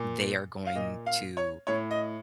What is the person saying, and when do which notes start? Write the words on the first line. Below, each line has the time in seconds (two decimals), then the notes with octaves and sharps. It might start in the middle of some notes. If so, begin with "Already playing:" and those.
they are going to,
Already playing: A#2
0.67 F5
0.75 A#2 D#5
1.06 F5
1.37 C#5
1.67 A2 C#5
1.91 D#5